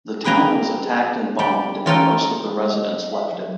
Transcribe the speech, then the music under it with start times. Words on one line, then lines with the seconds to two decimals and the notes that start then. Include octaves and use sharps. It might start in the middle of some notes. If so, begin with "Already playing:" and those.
The town was attacked and bombed and most of the residents left it.
0.24 G#4 B4 G5 G#5 A#5
1.39 G3 G5
1.86 E3 C#4 F4 A4 A#4 G5
2.59 G#3
2.74 D#5
3.12 E5
3.33 F#3